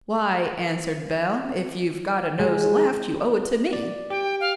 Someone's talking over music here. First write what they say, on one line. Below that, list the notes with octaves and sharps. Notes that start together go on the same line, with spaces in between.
"Why," answered Bell, "if you've got a nose left, you owe it to me."
G#3
D5
G4 G5
F5